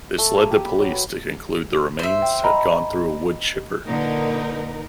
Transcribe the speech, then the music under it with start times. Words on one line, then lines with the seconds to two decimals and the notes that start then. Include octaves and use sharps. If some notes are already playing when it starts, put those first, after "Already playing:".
This led the police to conclude the remains had gone through a woodchipper.
0.18 A3
0.38 A#3
0.51 G4
0.65 B5
0.80 F#3
0.92 B4
1.99 C5 E5
2.22 G5
2.44 D#5 A#5 B5
3.86 A#2 D3 D#4 A#4 B4